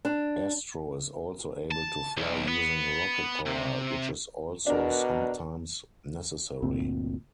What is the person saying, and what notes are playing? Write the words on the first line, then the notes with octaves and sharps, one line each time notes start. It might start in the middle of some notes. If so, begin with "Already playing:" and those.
Astro is also able to fly using rocket power, which is also sometimes necessary.
D4
A5
B1
B3
C3
B2 D4 A#4
G1 D2 A#2 C4